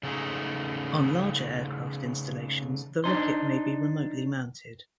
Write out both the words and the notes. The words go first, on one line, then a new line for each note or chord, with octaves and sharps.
On larger aircraft installations the rocket may be remotely mounted.
C#3 A3 C#4 D#4
D4 D#4 C5